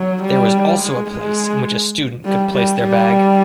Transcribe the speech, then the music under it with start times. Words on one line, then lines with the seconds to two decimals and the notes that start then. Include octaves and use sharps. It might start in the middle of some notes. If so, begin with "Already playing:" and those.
There was also a place in which a student could place their bag.
Already playing: F#3
0.23 G3
0.81 G#3
1.10 G#3
2.25 G3
2.54 G3
2.82 G3